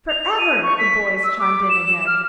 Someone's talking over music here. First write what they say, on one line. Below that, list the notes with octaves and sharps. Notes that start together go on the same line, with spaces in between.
"For ever!" the boys chimed in again.
F7
D#7
C#6
B6
E6
D6
E7
F6